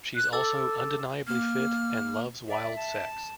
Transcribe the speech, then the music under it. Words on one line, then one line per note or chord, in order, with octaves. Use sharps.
She's also undeniably fit and loves wild sex.
F#6
A4 D6 E6 A6
A#3 F6
D5 E5
A5